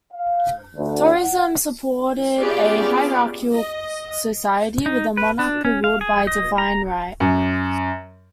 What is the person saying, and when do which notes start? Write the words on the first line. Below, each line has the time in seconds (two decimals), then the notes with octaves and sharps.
Toryism supported a hierarchical society with a monarch who ruled by divine right.
0.12 F5
0.76 D2
1.16 F#5
2.37 B3 C#4 F4 G4 G#4 D5
3.53 D#5
4.86 D#4
5.17 B4
5.39 D4
5.65 C#4
5.84 F5
6.01 G#4
6.27 D#5
6.58 A#5
7.20 F#2